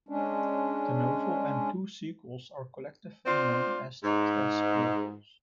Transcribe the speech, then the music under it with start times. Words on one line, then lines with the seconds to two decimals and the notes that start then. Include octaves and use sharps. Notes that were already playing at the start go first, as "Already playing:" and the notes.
The novel and two sequels are collectively known as the Trask novels.
0.09 G#3 C#4 D4
3.26 C4 D4 F4
4.04 G#2